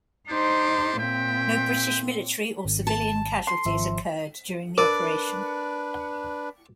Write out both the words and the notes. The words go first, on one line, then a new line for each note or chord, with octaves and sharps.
No British military or civilian casualties occurred during the operation.
D4 D#4 G4 C5
A#2 C4 E5 G5
G#1
A5
C6
G#1 F3 E5
D4 A#4 B4 D5